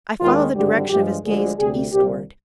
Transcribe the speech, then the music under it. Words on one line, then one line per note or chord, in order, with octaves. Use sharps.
I follow the direction of his gaze to eastward!
D#2 D#3 G#3 F4
G#1 G2 D3 G3 G4
G2 F3 G#3 G4
D2 D3 F3 G#3 G#4
D2 C3 G3 G#4
C2 A#2 G3 G4